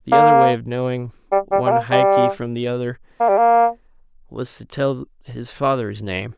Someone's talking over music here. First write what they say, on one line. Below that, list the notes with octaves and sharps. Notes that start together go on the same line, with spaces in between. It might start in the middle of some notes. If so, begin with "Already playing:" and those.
The other way of knowing one Haki from the other was to tell his father's name.
A#3
G3
G3
G3
A#3
G3
A#3
G3
A#3